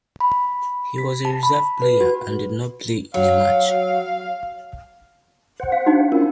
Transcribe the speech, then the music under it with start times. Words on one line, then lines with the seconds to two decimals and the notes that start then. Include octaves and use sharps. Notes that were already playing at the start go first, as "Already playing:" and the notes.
He was a reserve player and did not play in a match.
0.20 B5
0.98 B6
1.25 A5
1.43 B5
1.82 B4
2.01 F#4
3.14 F#3 F5
5.60 C5 F#5
5.72 F5
5.86 D4 D#4 F#4
6.12 C#4 E4 F4 A#4